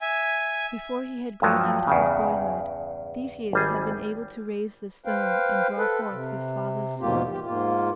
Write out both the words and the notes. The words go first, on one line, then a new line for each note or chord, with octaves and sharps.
Before he had grown out of his boyhood Theseus had been able to raise the stone and draw forth his father's sword.
E5 G#5
G2 F3 F#3
E2 G2 C#3
G#1 G3 G#4
B4 C5 F5 G5
A4 B4
C3
E2 G#2 B2 A#3 F4 G4
G4
G#2 A#3 F4